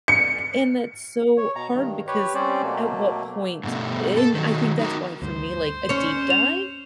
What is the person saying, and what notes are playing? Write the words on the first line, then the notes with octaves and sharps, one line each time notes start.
and that's so hard because at what point and I think that's why for me, like a deep dive
C#7
C#5
B2 A#5
G2 D#3
G4 B4 C#5
G3 C4 C#4 C5 D5
B2 F#3 A3 A#3
G2 B2 A3
A4
D#3 F#3
D#4 F#4 A#4
D2 G2 C5
C#4 C#5
F7